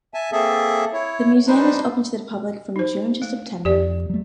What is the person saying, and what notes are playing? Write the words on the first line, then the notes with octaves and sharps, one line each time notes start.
The museum is open to the public, from June to September.
E5 G#5 A5
A#3 C4 G#4 A4 E5
E4 C#5
G3 D4 D#4 B4 C5
D#4 C5
A3
F2 G4 D5
F#3 A3